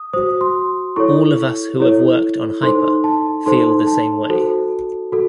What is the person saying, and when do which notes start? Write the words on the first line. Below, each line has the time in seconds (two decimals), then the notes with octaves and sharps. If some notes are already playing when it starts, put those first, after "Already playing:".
All of us who have worked on Hyper feel the same way.
Already playing: D#6
0.13 F#4 C5 D#6
0.41 C6
0.96 E4 A4 C#5 C#6
1.80 E4 A4 C#5
2.62 D#4 A4 C5 C6
3.04 A5
3.46 D#4 A4 C5 C6
3.87 A5
4.29 F#4 A4 C5
5.12 F#4 A4